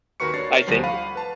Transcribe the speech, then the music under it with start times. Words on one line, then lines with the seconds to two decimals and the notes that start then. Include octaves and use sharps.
I think
0.20 D#2 F#4 A#4 B4 C#6 C#7
0.34 D4 C#5 D5 A6 C7
0.51 A#4
0.67 D2 F3 G3 C5 C7
0.84 F5 F#5 B5 C#6 D#7
1.16 B4 A5